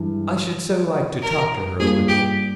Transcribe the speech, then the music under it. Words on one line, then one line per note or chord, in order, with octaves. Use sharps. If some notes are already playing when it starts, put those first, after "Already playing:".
I should so like to talk to her a little.'
Already playing: G2 E3 G#3
A#4
G2 G3 A#3 F4 G#4
G4